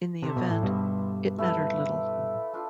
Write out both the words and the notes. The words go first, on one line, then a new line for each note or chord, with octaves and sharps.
In the event, it mattered little.
C3 D4 A4 C5 E5
B2
A2
G2 B2
A3 E4 B4 F5
A3 D4 F4